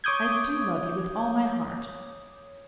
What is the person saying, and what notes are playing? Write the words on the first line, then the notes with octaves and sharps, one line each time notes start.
I do love you with all my heart.'
C#5 D6 D#6 G6 G#6